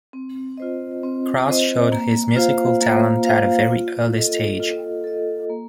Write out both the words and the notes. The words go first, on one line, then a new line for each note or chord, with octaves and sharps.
Kraus showed his musical talent at a very early stage.
C4
F4 C5 D#5
C4
F4 C5 D#5
A#3
F4 C5 F5
A#3
F4 C5 F5
F4
A4 D#5
F4
A4 D#5
A#3